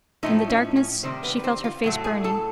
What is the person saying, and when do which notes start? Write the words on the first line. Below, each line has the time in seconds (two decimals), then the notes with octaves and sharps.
In the darkness she felt her face burning.
0.23 A2 F3 A3 D#4 D#5
0.49 C#4 C#5
0.76 C#4 C#5
1.03 C3 D#3 G3 C4 C5
1.23 B3 B4
1.37 B4
1.44 C4 C5
1.64 F4 F5
1.84 A2 F#3 A3
2.04 G#4 G#5
2.24 A4 A5